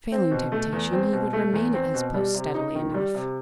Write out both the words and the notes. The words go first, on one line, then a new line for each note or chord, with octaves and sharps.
Failing temptation, he would remain at his post steadily enough.
C4
B2
A3
E2
C4
B2
A3
E2
C4
B2
G3
C3
D#4
D#3
G3
C3